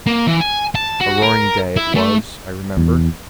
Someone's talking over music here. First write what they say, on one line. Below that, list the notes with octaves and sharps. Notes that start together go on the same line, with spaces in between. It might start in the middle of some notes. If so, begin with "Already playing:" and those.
A roaring day it was, I remember....
A#3
E3
G#5
A5
F#4
A#4
E4
A3
E2